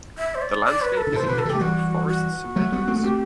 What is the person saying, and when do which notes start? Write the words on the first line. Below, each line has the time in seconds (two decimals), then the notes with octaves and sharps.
The landscape is a mixture of forests and meadows.
0.18 E5
0.35 C5
0.42 D5
0.66 D5
0.82 B4
0.97 A4
1.07 D3
1.13 A2 C3 C5
1.23 E3
1.28 B2 D3 B4
1.39 A4
1.45 C3 E3
1.50 A3 G4
1.61 E3 G3 F#4
2.09 F#4
2.56 F#3 A3
2.72 G3 B3
2.87 A3 C4
2.96 B3
3.03 A3 C4 G4